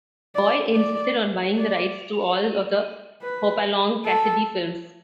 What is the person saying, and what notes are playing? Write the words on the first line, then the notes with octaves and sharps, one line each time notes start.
Boyd insisted on buying the rights to all of the Hopalong Cassidy films.
D5
D5
D5
B4
A4